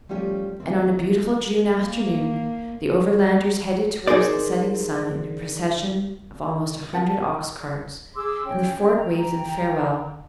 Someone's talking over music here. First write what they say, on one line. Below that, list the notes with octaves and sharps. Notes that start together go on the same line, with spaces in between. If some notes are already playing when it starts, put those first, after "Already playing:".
And on a beautiful June afternoon the Overlanders headed towards the setting sun in a procession of almost a hundred ox-carts; and the fort waved them farewell.
F3 G3 A3 C#4 G4
D#3 A3 A#3 C4
A#3
D#4 G#4 A#4 C5 D5
A#4 F#5 A5
G#4 C6 D6 E6
C#4 C#5 G5
G5 A#5